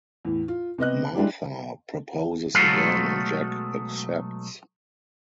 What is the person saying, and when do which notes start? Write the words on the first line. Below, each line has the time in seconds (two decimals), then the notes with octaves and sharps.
Martha proposes again and Jack accepts.
0.25 E2 A2
0.48 F4
0.78 C3 B3 D#5 F#6
1.15 G3 G#3 D4 E4 G4
2.55 B1 F#3 G#3 A3 A4 F5